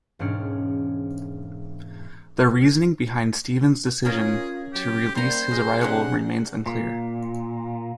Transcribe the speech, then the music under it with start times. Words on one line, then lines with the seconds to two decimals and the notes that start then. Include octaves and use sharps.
The reasoning behind Stephen's decision to release his rival remains unclear.
0.19 E1 G#2 C#4 D4 F6 C#7
4.05 C#4 F4 G#4 A#4 D#5
4.73 F#3 G4
5.15 G3 A#3 C5 A#5
5.51 G#4 D#5
5.81 C3 F#3 D4 F#5
6.66 A#2